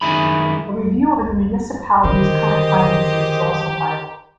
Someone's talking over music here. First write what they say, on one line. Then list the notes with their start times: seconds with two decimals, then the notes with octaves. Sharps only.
A review of the municipality's current finances is also vital.
0.01 F#2 D#3 G#3 E4 G#4 B5
2.04 D3 D#3 G4 G#4 A#4 C5 D#5